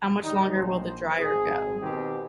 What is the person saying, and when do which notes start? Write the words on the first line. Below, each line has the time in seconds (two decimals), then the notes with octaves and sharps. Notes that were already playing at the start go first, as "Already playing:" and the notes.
How much longer will the dryer go?
0.23 D#3 G3 D#4
0.53 A#1 C5
1.19 G#1 G#4
1.81 B2 D#3 C4 G4